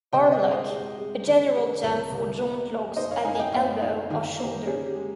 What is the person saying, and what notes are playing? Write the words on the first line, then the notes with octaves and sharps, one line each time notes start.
Armlock: A general term for joint locks at the elbow or shoulder.
C3 D#5 G5
C5 D#5
G#3
C5 D#5
G#3
G#3
D#3
G#3
C2 A#4 C#5
C3
A#3
A#3
D#4 C5 D#5
C#5 F5
D#4 F5 G#5
G#5
D#5 G5
A#3 C#5 F5
D#4
D#3
A#3
C#4 G#4
G4
G#3